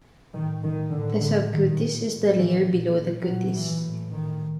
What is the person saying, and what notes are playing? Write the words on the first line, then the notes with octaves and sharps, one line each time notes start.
The subcutis is the layer below the cutis.
A2 D#3
D#3
A2 D3
D3
A#2 D#3
A2
E3
A#2
A#2 F#3
E3
A2
D#3